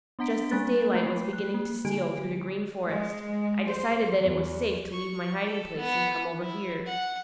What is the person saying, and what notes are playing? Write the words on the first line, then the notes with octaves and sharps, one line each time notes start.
Just as daylight was beginning to steal through the Green Forest, I decided that it was safe to leave my hiding place and come over here.
B3 D4 F#5 A#5 B6 D7
G3 A#3 C4 F#6 A6
A3 F#4 B4 B5 C7
F#6
A#3
D3 G3 G4 D7
G#3
C5
E2
C#6
A4
B3
E4
F#5